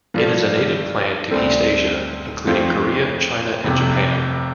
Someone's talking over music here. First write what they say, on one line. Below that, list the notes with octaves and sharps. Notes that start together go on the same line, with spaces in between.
It is a native plant to East Asia including Korea, China and Japan.
G2 F3 D4 A4
D2 D3 G3 C4 A4
F2 F3 A3 C4 F4
F1 F2 C3